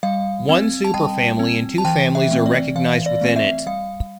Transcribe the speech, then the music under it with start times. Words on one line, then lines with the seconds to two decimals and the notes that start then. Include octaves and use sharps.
One superfamily and two families are recognised within it.
0.03 G3 F5
0.49 C4
0.85 A5
0.94 G3 G5
1.39 C4
1.78 A5
1.85 E3 G5
2.15 E5
2.31 A3 C4
2.46 D5
2.75 E3 F5
3.06 D5
3.21 A3 C4
3.36 E5
3.67 G3 F5